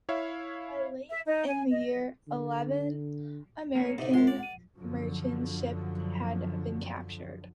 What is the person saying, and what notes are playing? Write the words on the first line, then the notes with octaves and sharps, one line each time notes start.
By late in the year eleven American merchant ships had been captured.
E4 C#5 E5 F5
E5
D#4
G#5
D#5
D3
A#3 C4 C#4
A1 D2 C3 D#4
F#2 G#3 F4 F#5 C6
D5
F#5 D#7
F#2 D3 F3 F#3